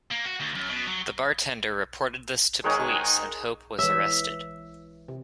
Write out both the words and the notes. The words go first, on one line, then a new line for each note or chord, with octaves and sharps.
The bartender reported this to police and Hope was arrested.
A#3
F#4
D2
F#2
B2
F#3
D#3 G#3 D#4 C5 C#5 F#5 G#5
E3 G#3 C#5 E5
C3